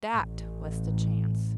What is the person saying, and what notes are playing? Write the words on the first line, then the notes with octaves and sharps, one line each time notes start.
THAT was the chance!
A1